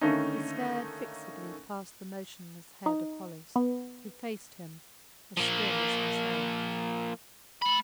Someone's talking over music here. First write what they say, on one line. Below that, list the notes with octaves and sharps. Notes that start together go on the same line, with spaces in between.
He stared fixedly past the motionless head of Hollis, who faced him, as still as himself.
D3 D#3 A3 A#3 C#4 D#4
D#4
B3
F3 A#3
A3 B5